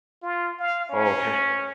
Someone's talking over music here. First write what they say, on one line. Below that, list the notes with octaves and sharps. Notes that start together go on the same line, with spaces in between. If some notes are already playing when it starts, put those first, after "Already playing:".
Oh, okay.
F4
F5
C#4